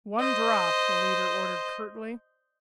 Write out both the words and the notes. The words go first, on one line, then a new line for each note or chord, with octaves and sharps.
"One drop!" the leader ordered curtly.
C5 D#5